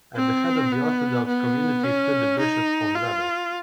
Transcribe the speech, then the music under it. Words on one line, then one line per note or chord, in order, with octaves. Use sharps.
At the head of the Orthodox community stood the bishop of Zadar.
C4
B3
B3
C#4
D#4
F4